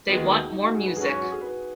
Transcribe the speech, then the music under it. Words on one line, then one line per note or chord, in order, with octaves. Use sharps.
They want more music.
D#2 D#3 G#3 B3 F#4
D#4
F#4
G#4
B4
G#2 F#3 C#4 G#4
F#4
G#4
B4